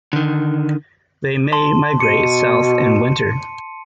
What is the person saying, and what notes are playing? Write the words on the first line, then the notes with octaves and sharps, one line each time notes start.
They may migrate south in winter.
D3 D#3
A5 C6
B2 C#7 D#7